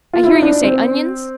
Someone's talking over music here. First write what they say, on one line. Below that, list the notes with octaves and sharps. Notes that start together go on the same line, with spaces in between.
I hear you say onions?
F4
E4
D#4
D4
C4